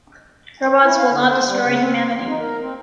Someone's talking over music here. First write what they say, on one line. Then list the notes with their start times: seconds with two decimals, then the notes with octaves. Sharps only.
Robots will not destroy humanity.
0.84 E4
0.98 F5
1.10 D3
1.30 C5
1.46 G3
1.65 C#3
1.79 C4
2.12 E2
2.28 D#4
2.40 A#4
2.60 C4